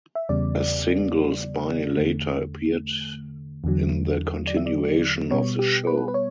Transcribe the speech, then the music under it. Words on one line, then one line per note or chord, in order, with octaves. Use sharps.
A single Spiny later appeared in the continuation of the show.
E5
E2 C#3 G3 B3 D5
E2 D3 A3
E2 D3 F#3
D5
E5
D5
B2 G3 B3 C#5
G4
B4
B4
C#5